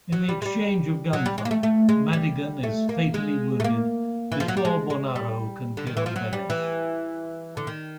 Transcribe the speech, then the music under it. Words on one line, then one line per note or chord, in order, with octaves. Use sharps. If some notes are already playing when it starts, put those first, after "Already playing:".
In the exchange of gunfire, Madigan is fatally wounded before Bonaro can kill Benesch.
F#3
G3
G#3
G3
F#3
G3
G#3
A#3
A3
A3
G#3
G3
A3
A#3
G#3
A3
A#3
E3
F3
F#3
G3
G#3
G#3
G3
D3
D#3
E3
F3
F#3
G3
E3
D3
D#3